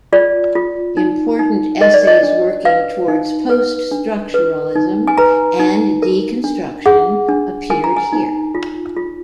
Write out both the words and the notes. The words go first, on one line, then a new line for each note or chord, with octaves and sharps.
Important essays working towards post-structuralism and deconstruction appeared here.
F4 D5
F4
D#4
D#4
A#4 D#5
D5
D#5
D4
B4 F5
D#4
B4
D4
B4
D#4
G#5
B4 A#5
D#4
A#4
D4
G#4 F#5
D4
A#4 G#5
A#5
G#5
D#4
F4
F4